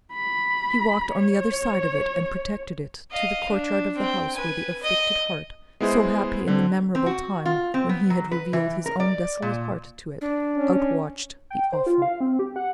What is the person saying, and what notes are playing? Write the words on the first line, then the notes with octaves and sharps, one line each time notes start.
He walked on the other side of it and protected it to the courtyard of the house where the afflicted heart--so happy in the memorable time when he had revealed his own desolate heart to it--outwatched the awful night.
B5
C#5
D#5 F5
D4
C4 G5
B4 G#5
D#5
G#3 B3 E4 G#4 C5
D3 C4
C4
F#4
F4
C4
B3
F#3
B4
E3
A#4
D5
A#2
D4
C#4
G5
C5
F4
F5
C4
G4
F#5